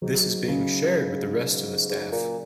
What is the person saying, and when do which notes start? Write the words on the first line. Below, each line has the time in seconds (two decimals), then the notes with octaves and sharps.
This is being shared with the rest of the staff.
0.02 G#2 F#3
0.48 C#3
1.90 G#2
2.12 A#2